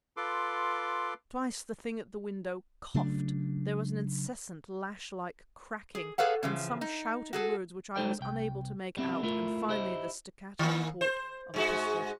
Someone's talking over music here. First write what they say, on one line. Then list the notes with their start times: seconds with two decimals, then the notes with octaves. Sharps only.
Twice the thing at the window coughed; there was an incessant, lash-like cracking, then some shouted words which I was unable to make out; and finally the staccato report of a pistol.
0.17 F4 A4 B4 C6 D6
2.94 C#3 F#3 A3 D4
5.95 G#4
6.18 G#4 A4 B4 C#5 F5 F#5
6.43 C#3 E3 F3
6.81 D#4
7.33 F#4 G#4 A4
7.96 G#3 D#4 A4 C5 D5 G5
8.21 C2 G5
8.97 G3 B3 C4 E4 G4
9.23 A3 E4 F4 A#4
9.69 E4 G4 C5 D#5
10.59 D#3 A#3
11.01 C5
11.54 G#2 G#3 F#4